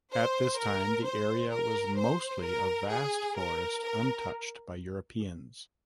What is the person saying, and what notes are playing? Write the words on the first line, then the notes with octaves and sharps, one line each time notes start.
At this time the area was mostly a vast forest untouched by Europeans.
C5
A#4
C5
A#4
C5
A#4
G#4
A#4
A#4